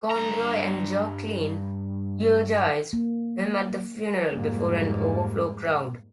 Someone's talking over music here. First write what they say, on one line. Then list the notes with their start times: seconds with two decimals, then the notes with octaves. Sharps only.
Conroy and Joe Klein eulogized him at the funeral, before an overflow crowd.
0.11 G2 A#5
2.93 A#3
4.31 F2 G#2 G3 G#3 A#3